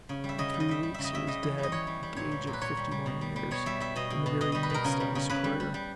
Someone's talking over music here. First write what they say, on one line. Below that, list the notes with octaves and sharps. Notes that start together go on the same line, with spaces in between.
In three weeks he was dead, at the age of fifty-one years, in the very midst of his career.
C#3
G3
E5
C#3 D#5
G3
D#5
G3 E5
G3
C#3 E5
D#5
C#3 E5
G3 D#5
E3
G3
D#5
E3 C#5
G3
G3
A#2 C#5
G3
A#2
B4
A#2 C#5
G3
G3
B2
G3
G3
B2 C#5
G3 E5
G3 E5
B2 D#5
B2
B2
B2 D#5
G3 D#5
B4
B2 A#4
C#3 A#4
G3
C#3
C#3 B4
G3
G3
G3